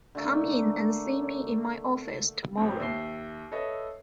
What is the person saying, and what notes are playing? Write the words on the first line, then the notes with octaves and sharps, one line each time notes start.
Come in and see me in my office tomorrow.
D3 A3 A#3
A1 F2 C4
D#2 E5 C7 G7
A4 B4 C#5 D#5 E5